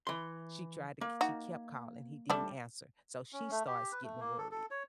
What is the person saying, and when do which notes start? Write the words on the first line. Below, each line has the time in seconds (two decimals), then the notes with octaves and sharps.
She tried to k she kept calling. He didn't answer. So she starts getting worried.
0.07 E3 C6
1.01 A#3
1.21 D#4 F#4
2.30 G3 A3 D4
3.33 C#4
3.51 A3
3.67 G4
3.92 B4
4.03 A3
4.20 A#3
4.38 A4
4.51 A4
4.71 C#5